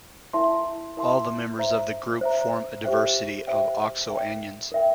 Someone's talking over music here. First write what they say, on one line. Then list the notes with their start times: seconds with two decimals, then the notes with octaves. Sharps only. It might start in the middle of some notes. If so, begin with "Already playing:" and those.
All the members of the group form a diversity of oxoanions.
0.33 E4 A#4 E5 A5 C6
0.97 E4 A#4 E5 A5 C6
1.58 C5 E5 A#5
2.21 C5 E5 A#5
2.84 G4 C5 E5 G5
3.47 G4 C5 E5 G5
4.09 A#4 E5 G5
4.72 A#4 E5 G5